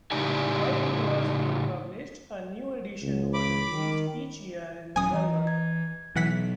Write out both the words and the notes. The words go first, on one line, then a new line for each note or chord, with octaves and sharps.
While it was being published, a new edition was released each year in November.
A2 C#3 D#4 G4 D5 G#5
C#2
B5 D6
D#3
D#1 F#3 C#4 G#5 D#6
E3 D#5 A#5
G#6
B2 E3 F#3 F#5 B6